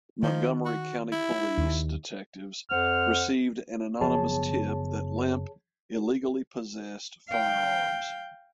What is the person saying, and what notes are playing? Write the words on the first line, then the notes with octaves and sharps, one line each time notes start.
Montgomery County Police detectives received an anonymous tip that Lemp illegally possessed firearms.
D#3 F3
F#4
E4
D#2
F2 C5 F#5 F6
F#1 F3 B3 G#4 C#5 A5
F5 G5